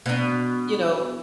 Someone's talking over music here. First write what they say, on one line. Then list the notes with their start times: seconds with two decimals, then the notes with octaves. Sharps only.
you know
0.06 B2 D4